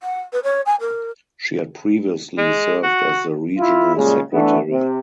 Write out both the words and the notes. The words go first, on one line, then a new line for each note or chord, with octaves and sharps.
She had previously served as the regional secretary.
F#5
B4
C#5
G#5
A#4
G#3
F#4
E4 F4
A#2 C#3 G3 G#3
E3 A3 B3 D4
C3